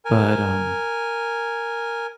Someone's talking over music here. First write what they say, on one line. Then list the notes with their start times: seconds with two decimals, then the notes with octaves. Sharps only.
But, um,
0.05 A#4 G#5